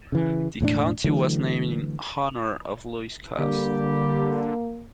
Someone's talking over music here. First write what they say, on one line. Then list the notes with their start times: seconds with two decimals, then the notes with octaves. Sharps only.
The county was named in honor of Lewis Cass.
0.12 C#3 E3
0.61 E1 A2 A3 D4
1.04 D3 E3 F#3 A3
3.38 D3 G3 A#3 G4